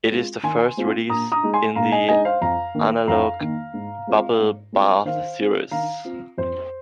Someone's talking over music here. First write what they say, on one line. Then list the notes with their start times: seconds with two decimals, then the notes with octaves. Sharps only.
It is the first release in the "Analogue Bubblebath" series.
0.11 G#3 C4 F4
0.43 D#3 G#5 C6
0.77 G#3 C4 F4
1.10 A#2 A#5 D#6
1.32 A#5 D#6
1.43 G#3 D#4
1.54 G#5 C6
1.75 A#2 F5 A#5
1.92 D#5 G#5
2.08 G#3 D#4 D#5 G#5
2.25 C5 F5
2.41 F2 F5 A#5
2.75 D#3 A#3
3.08 F2 F5 A#5
3.41 D#3 A#3
3.74 G#2
4.07 G#3 C4 F4
4.39 G#2
4.72 G#3 C4 F4
5.05 D#3 C5 F5
5.39 C4 F4
5.71 D#3 F5 A#5
6.05 C4 F4
6.38 F2 C5